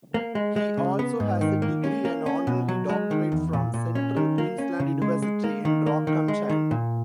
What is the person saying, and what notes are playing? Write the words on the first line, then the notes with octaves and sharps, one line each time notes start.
He also has a degree and honorary doctorate from Central Queensland University in Rockhampton.
A#3
G#3
G#3
C#3
B3
G#2
D#3
A#3
C#4
A#3
C#4
B2
F#3
G#3
D#3
E2
A#2
A#2
C#4
D#3
A#3
C#4
C#3
G#3
G#3
A#3
D#3
A#3
D#3
G#3
D#3
A#2